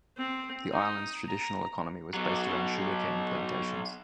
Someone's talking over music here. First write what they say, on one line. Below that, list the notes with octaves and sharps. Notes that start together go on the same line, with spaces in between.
The island's traditional economy was based around sugarcane plantations.
C4
D#4
A#5
B2 F#3